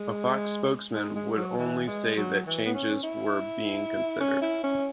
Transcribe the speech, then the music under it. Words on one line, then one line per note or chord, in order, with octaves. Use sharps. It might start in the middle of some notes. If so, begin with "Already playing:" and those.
A Fox spokesman would only say that changes were being considered.
Already playing: G#3
G#3
G#3
F#3
E3
G#3
F#3
E3
B3
C#4
E4
C#4
E4
C#4